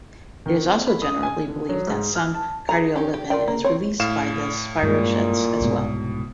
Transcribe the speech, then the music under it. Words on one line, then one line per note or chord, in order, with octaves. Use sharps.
It also generally believed that some cardiolipin is released by the spirochetes as well.
D#3
C4
B5
D#6
G#5
D3
F#3
G#2
F6
A5
G#4 A#5
C#4 G4
G4
F4 A#4 D5 G5
A#3
C4 C#5
A2 F5 E7
G2 A#2 G#3
C2 G#2 B2